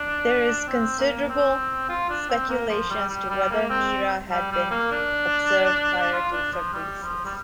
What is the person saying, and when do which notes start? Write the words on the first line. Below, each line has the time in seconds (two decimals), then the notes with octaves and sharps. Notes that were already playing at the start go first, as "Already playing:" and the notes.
There is considerable speculation as to whether Mira had been observed prior to Fabricius.
Already playing: D4
0.68 C4
0.98 A#3
1.29 C4
1.89 F4
2.10 D4
2.29 C4
2.49 A#3
2.70 F3
2.90 G3
3.10 G3
3.30 G3
3.50 A#3
3.70 C4
4.30 G3
4.51 G3
4.71 A#3
4.91 D4
6.12 F4
6.32 D4
6.52 F3
6.73 G3
7.03 F3
7.25 G3